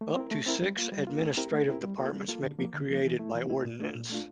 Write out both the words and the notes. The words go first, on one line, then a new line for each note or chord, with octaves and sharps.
Up to six administrative departments may be created by ordinance.
A3
C4 E4 A#4
A3
C4 E4 A#4
G3
A#3 F4
G3
A#3 F4
A3
C4 E4 G4 A#4
A3
C4 E4 G4 A#4
G3
A#3 F4 A4
G3
A#3 F4 A4
D3
F3 A#3
D3
F3 A#3
E3
A3 E4
E3
A3 E4
A#2
A3 D4 F4
A#2
A3 D4 F4